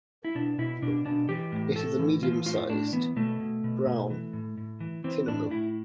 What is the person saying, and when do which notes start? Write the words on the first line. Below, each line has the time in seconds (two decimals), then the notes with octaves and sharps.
It is a medium-sized, brown tinamou.
0.25 E4
0.35 B2 D4
0.58 B2 E4
0.82 B2 D4
1.06 B2 D4
1.29 E3 G4
1.52 A2
1.75 A2 A4
1.99 E3
2.23 E3 F4
2.46 A2 F4
2.69 A2 D4
2.92 E3 B3
3.16 B2 A3
3.40 B2
3.64 B2
3.87 B2
4.10 E3
4.33 A2
4.58 A2
4.80 E3
5.04 E3 C4
5.28 A2 D4
5.51 A2 E4